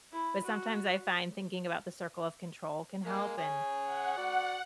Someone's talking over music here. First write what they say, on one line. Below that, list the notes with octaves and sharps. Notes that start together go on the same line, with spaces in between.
but sometimes I find thinking about the circle of control can help, and
E4
F#4
G#3 A#3
G#4 C#5
F#5
F#4 D5